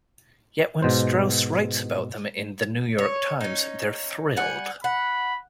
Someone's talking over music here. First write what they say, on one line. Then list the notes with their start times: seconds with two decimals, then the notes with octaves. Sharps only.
Yet when Strauss writes about them in "The New York Times," they're thrilled.
0.82 G#2 B2 C5
2.98 C#5
3.41 C#4 D#4
4.37 G3 F#5 G#5
4.84 F#5 B5